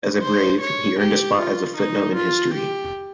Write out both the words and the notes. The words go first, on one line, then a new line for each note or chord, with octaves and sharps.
As a Brave, he earned a spot as a footnote in history.
C5
C#5
G4
F4
D#4
F4
G4